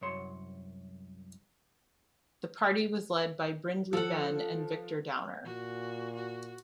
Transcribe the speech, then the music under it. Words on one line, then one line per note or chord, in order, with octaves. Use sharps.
The party was led by Brindley Benn and Victor Downer.
C2 F#2 C#5 C6
F3 A4 F#5
A#2 F#4
F#4